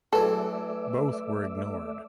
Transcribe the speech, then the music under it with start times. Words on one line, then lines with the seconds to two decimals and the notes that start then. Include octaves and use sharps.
Both were ignored.
0.13 E3 F#3 A3 A4 D5 E5